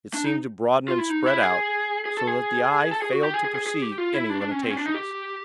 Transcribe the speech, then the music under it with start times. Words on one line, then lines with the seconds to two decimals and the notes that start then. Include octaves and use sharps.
It seemed to broaden and spread out, so that the eye failed to perceive any limitations.
0.14 D4
0.24 D#4
0.88 F4
0.98 E4
1.10 D#4
1.26 E4
1.42 G#4
2.05 G#4
2.17 A4
2.27 G#4
2.91 A4
3.02 G#4
3.12 F#4
3.23 G4
3.34 G#4
3.44 G#4
3.55 G#4
3.66 G#4
3.82 G4
3.98 F4
4.14 E4
4.30 D4
4.41 D4
4.51 C#4
4.62 C4
4.70 C#4
4.78 D4
4.86 D#4
4.94 G4